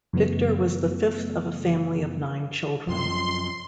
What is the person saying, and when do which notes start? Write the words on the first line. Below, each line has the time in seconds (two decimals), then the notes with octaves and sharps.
Victor was the fifth of a family of nine children.
0.13 F#2 C#3 E3 F#3 A3 B3
2.87 F#2 F3 C6